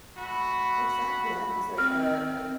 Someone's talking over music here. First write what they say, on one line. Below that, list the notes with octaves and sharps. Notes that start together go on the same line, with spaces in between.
Exactly, that makes a a a d
A3 F#4 B5
C4 F6